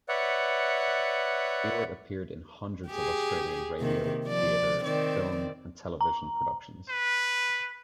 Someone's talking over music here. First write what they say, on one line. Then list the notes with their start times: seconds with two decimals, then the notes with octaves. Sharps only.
Ewart appeared in hundreds of Australian radio, theatre, film and television productions.
0.09 B4 C#5 D5 E5 F#5
2.88 G4 G#4
3.80 C3 D#3 A#3
4.26 F3 D5
4.83 D#3 C4 D5
6.01 A#5
6.89 B4